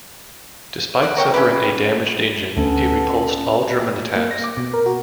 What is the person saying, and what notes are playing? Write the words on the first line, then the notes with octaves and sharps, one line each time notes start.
Despite suffering a damaged engine, it repulsed all German attacks.
D5 F#5
A#4 C#5 G5
C#4 E4 G4 B4
D2 B3 C#4 A4
A#3
A#6
D6
B2
A#4
F#4